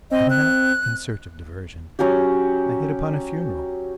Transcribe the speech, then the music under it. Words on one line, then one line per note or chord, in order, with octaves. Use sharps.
I went out in search of diversion, I hit upon a funeral.
C4 D#5
F#6
F#3 C#4 F#4 G4